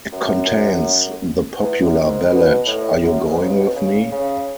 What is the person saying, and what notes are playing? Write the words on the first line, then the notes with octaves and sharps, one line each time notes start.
It contains the popular ballad "Are You Going With Me?".
F#2
E2
F#2
G#2
B2
A2
F#2
G#2
C#3
B2
C#3
C#3